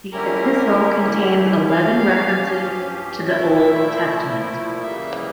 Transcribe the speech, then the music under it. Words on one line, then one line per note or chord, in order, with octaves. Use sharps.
The epistle contains eleven references to the Old Testament.
D3 G3 C#4 E4 G4 A#4
G2 F3 C#4 G4 F5
A#2 F3 A3 E4 E5
C#3 E3 G3 A#3 E5